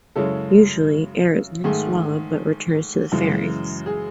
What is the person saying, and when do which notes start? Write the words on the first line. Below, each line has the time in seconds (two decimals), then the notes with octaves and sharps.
Usually, air is not swallowed but returns to the pharynx.
0.16 F#2 C#3 G#3 C#4 E4 A4
1.64 G#2 D#3 A3 G#4
3.12 F#2 C#3 E3 G#3
3.86 G#4